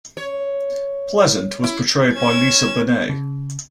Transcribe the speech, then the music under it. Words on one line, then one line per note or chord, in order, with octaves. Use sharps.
Pleasant was portrayed by Lisa Bonet.
C#5
E4
C#4 G#6 E7
C#3